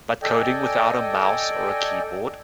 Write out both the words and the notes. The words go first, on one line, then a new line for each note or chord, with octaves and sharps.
But coding without a mouse or a keyboard?
A4 D5 D#5 G5 G#5